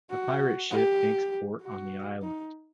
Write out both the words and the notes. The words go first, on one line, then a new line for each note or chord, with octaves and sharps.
A pirate ship makes port on the island.
F#4
G4
F#4
D#4